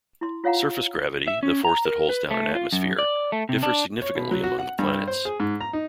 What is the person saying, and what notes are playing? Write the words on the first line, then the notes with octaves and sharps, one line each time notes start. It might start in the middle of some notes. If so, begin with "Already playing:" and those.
Surface gravity, the force that holds down an atmosphere, differs significantly among the planets.
E4 C6
F4 C#5 F5 F#5 A#5
E5
C#4
A#5
A#4
B4
A3
F4
F#2
D5
A3
C3
D4
C#5
B2
F#3
F#4
F#5
G2
C5
G#4
G#2
A#5
D#4